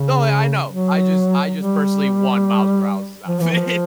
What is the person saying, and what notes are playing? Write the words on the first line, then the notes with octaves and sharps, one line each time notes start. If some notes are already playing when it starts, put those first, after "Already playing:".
No, I I know. I just I just personally want Miles Morales' outfit.
Already playing: C#3
F#3
G3
F3
E3
F3